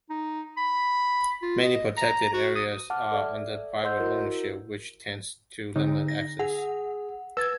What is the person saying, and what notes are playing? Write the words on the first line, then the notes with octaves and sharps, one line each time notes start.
Many protected areas are under private ownership, which tends to limit access.
D#4
B5
F4
D#5
A#5
F#4
D#6
F#5 A5 D6 F6
A4 D5 E5
C5 D#5 F#5 C6 E6 G6
E4 F#4 A#4
D3 D#4
A#6
G#4 F#5
B4 E6 G#6 A6